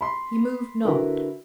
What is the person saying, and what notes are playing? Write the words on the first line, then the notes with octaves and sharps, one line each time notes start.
He moved not.
B5 C6
D3 E4 F#4 A#4 B4